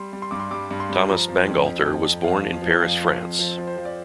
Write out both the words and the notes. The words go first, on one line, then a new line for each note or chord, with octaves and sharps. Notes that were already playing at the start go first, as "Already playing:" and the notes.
Thomas Bangalter was born in Paris, France.
Already playing: G3 C6
G3
C6
G2 D6
C6
G3 D6
G2
C6
G3
F3 A#5
F3
F2
F2
F2
F2
F2 F5
F3
F3
F2 F5
F3
F2
F3
F3
C5
F3
D5